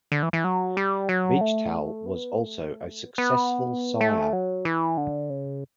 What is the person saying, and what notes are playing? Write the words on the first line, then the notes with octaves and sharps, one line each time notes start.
Beach Towel was also a successful sire.
D3
E3
E3
F#3
G3
F#3
A3
B3
A3
B3
B3
A3
F#3
E3
D3
C#3